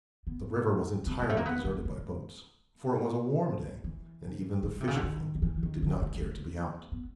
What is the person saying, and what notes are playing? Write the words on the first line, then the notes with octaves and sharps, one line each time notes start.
The river was entirely deserted by boats, for it was a warm day and even the fisher folk did not care to be out.
B3
C4
G#3
A3
A#3
B3
A#3
G#3
E3
D3
C3
C#3
D3
D#3
D#3
E3
D#3
D3
G#3
A#3
B3